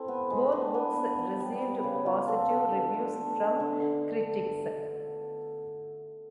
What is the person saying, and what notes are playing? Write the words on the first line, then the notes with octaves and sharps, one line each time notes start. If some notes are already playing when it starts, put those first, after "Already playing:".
Both books received positive reviews from critics.
Already playing: C4 E4 A4
B3
G#3
D4
B3
B3
B3
G3
B3
C#3
F4
A4
A4
D4
A3
D4
D3
D3
D3